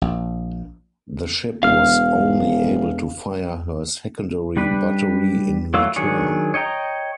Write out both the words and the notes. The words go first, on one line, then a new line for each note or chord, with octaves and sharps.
The ship was only able to fire her secondary battery in return.
A#1
E1 F5 F6
G3 D4 B4
E3 F#3 A3 F5 E6
D#3 F#3 D4 G#4 C#5
C#5 D#5 G5 A#5